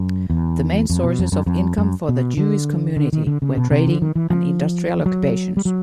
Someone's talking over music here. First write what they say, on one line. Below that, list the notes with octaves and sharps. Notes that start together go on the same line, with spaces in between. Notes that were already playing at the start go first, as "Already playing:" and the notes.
The main sources of income for the Jewish community were trading and industrial occupations.
Already playing: F#2
E2
F2
B2
F2
F#2
F2
F#2
B2
D3
D3
D#3
D3
C#3
B2
C3
D3
D#3
E3
F3
F#3
G3
F#3